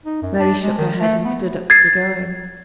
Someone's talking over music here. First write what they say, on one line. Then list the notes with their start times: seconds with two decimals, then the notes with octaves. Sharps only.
Mary shook her head, and stood up to be going.
0.06 D#4
0.22 F#2
0.40 D4
0.63 G#3
0.78 D#3
1.01 A3
1.25 B3
1.70 G#6 A6 C7